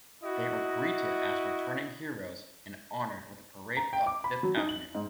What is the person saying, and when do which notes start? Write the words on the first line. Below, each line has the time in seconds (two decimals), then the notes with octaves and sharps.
They were greeted as returning heroes and honoured with a parade up Fifth Avenue.
0.23 E4 F#4 D#5
3.77 A#5
3.93 G5
4.06 D6
4.24 B5
4.43 F#3
4.57 D#4
4.69 F#7
4.95 G#2